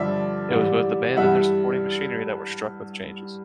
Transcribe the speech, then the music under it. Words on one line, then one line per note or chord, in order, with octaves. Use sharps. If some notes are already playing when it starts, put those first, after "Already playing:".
It was both the band and their supporting machinery that were struck with changes.
Already playing: G2 D3 F3 D5 E5
G#2 E3 G3
G2 E3 G3 E5 F#5